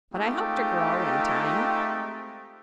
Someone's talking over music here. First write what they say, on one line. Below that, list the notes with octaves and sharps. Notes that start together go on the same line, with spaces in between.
But I hope to grow, in time.
G#3 A3 C4 D#4 F4 G4